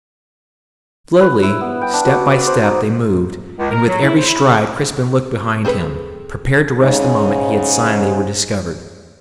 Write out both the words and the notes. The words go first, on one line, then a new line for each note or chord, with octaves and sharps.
Slowly, step by step, they moved, and with every stride Crispin looked behind him, prepared to rush the moment he had sign they were discovered.
B4
E4
B3
G5
D4
F#4
D5
C5
D#4
C#2
A#4
F#3
E4
C5
E4
C#3
C4 G#4 A4 B4
G#2 C#3